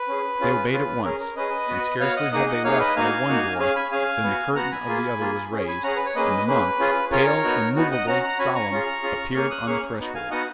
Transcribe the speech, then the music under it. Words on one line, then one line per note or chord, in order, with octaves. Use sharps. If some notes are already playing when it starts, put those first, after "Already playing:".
They obeyed at once, and scarcely had they left by one door than the curtain of the other was raised, and the monk, pale, immovable, solemn, appeared on the threshold.
Already playing: B4
C#4 G#4
C#4 F4 G#4
C#4 F4 G#4 B4
C#4 G#4 A#4
A#4
C#4 G#4 B4 D#5
B3 F#4
B3 F#4 C#5 F5
D#5 F#5
A#3 D#4 G#4 D#5 F#5
D#5 F#5
A#3 D#4 G#4 C#5 F5
B4 D#5
A#3 D#4 F#4 F5 G#5
A#3 D#4 F#4
C#4 G#4 F5 G#5
G#5 B5
C#4 G#4 F5 G#5
B3 F#4
B3 F#4 F#5 A#5
G#5 B5
A#3 F4 G#4
A#3 F4 G#4
C#4 G#4
G#5 B5
C#4 G#4 F#5 A#5
B4
C#5
A#3 C#4 G#4 B4 D#5
A#3 C#4 G#4 B4
C#4 F4 G#4
C#4 F4 G#4 A#4 C#5
B3 D#4 F#4
B3 D#4 F#4
D#5 F#5
C#4 F#4 F#5 A#5
F#5 A#5
C#4 F#4 G#5 B5
A#5 C#6
C#4 F4 G#4
C#4 F4 G#4
A#3 C#4 G#4 C#6 F6
D#6 F#6
A#3 C#4 G#4 C#6 F6
B3 D#4 F#4
F5 G#5
B3 D#4 F#4 D#5 F#5